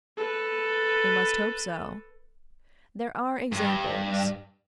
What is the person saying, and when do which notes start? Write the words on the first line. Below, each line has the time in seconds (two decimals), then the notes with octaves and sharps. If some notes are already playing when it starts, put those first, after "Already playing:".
We must hope so. There are examples.
0.17 A4 B4
3.52 G2